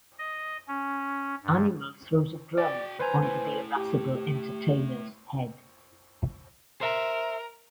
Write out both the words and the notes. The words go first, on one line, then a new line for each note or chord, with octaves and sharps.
Animal throws a drum onto the irascible entertainer's head.
D#5
C#4
G2
F#4 D5 G5
D2 B4 C5 G#5 A#5
A3 E4
G4
A#4 C5 E5